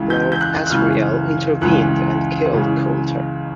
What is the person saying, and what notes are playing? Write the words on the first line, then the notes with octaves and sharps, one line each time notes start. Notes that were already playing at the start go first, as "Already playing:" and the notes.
Lord Asriel intervened and killed Coulter.
Already playing: C#2 C#3 E3
G6
G6
F#6
F#6
C#2 C#3 E3 F6
C#2 C#3 E3 F#6
C#2 C#3 E3